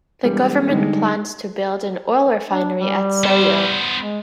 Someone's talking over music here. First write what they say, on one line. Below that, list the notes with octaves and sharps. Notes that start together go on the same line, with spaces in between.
The government plans to build an oil refinery at Soyo.
E1 G3
D3 G3 G#3 D#4
D4
G3
B3 C5
G#3